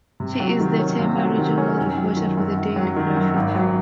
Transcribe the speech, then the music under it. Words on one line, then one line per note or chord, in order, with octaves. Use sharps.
She is the Tema regional reporter for the Daily Graphic.
C3
F#3
D#3
C#4
C3
F#3
D#3
C#4
F#2
F#3
D#3
F#2
F#2
F#3
D#3
F#2
G#1
F#3